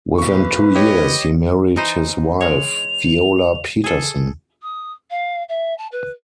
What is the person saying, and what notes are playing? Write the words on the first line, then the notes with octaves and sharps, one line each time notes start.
Within two years, he married his wife, Viola Peterson.
B1 B4 C#6
G4 C#5 D#5
E3 D#4 C5
G#3 C#5 F7
G#4 A4
D#6
F5
E5
A5
B4